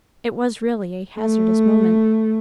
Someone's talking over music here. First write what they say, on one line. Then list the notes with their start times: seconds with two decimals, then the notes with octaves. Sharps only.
It was really a hazardous moment.
1.18 A3